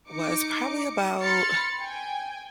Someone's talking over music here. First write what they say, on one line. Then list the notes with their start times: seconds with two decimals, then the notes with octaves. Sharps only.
was probably about
0.10 D#4 D6 C#7
1.21 B5 C6 F6 A6 C#7
1.80 G5 G#5